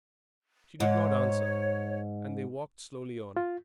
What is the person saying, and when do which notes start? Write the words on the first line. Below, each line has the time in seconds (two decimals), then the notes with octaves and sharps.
She did not answer, and they walked slowly on.
0.80 G#2 C#5
3.37 F4